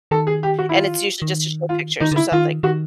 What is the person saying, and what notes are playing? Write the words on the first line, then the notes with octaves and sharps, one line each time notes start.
and it's usually just to show pictures or something.
D#3 A4
G#4
G4
F#4
E4
F4
D#3
F4
D#3 D#4
D3 E4
D#3 F4
D#3 F#4